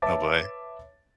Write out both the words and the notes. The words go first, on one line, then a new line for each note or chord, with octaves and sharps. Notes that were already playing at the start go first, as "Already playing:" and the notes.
Oh, boy.
B4 C#5 E5 A5 D6 A6